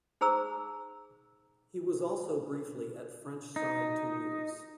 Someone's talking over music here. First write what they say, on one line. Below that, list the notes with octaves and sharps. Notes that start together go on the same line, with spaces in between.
He was also briefly at French side Toulouse.
D#4 G#4 C5 A#5 C#6 E6
D#4